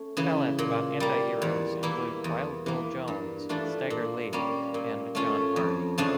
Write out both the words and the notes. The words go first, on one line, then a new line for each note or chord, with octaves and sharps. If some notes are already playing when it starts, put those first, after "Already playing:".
Ballads about anti-heroes include "Wild Bill Jones", "Stagger Lee" and "John Hardy".
Already playing: A3 C#4
C#3 E3
A#2
G3 A#3
E2
E3 A#3 E4
E2
E3 A#3
G2
E3 A3 D4 F4
A#2
G3 A#3 C#4
A#2
A3 C#4 F4
F2
C#3 F3 A3 D4